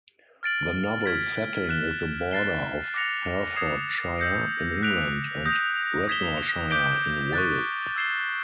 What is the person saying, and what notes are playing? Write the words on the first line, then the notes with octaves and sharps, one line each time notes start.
The novel's setting is the border of Herefordshire, in England, and Radnorshire, in Wales.
F6 A6 D7 F#7
F6 G#6 B6
F#6 B6 E7 G7
F#6 A6 C7 E7 G7
D6 F#6 A#6 C#7 F7
D#6 G#6 C7 E7
E6 G6 A#6 C#7
F#6 B6 D7 F7
D#6 G6 A#6
D#6 G#6 B6 E7 G7
D6 G6 B6 D7 G7
C#6 F#6 A6
E6 G#6 C7 E7 G7